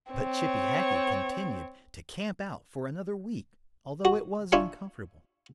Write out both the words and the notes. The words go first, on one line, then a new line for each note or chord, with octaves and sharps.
But Chippy Hackee continued to camp out for another week, although it was uncomfortable.
C4 C#5
F#4
D4 E4 F4 G#5 C#6